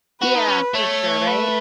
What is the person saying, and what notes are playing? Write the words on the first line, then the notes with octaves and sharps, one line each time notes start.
Yeah, for sure, right?
F#4 B4
D#4
C#4
A3 C#5
B4